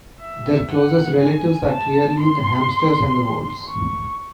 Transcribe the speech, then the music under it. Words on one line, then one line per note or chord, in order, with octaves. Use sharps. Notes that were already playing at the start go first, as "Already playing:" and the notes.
Their closest relatives are clearly the hamsters and voles.
E5
F#5
G#5
A5
C6
C#6